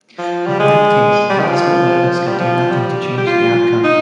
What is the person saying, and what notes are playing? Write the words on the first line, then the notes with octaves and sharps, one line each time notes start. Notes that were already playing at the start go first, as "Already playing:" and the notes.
In that case, Knoxville voters could do nothing to change the outcome.
F3
G3
G#3
G3
D#3
F3
F3
G3
F3
G3
G4
F4
D#4